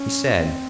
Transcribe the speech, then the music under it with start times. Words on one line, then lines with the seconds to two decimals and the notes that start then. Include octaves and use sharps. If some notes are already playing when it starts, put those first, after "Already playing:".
He said...
Already playing: C#4
0.36 C4